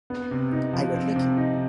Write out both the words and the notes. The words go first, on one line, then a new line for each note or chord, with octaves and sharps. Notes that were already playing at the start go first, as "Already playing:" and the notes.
I got lucky.
B3
C3
D#4
F3
C4
C3
D#4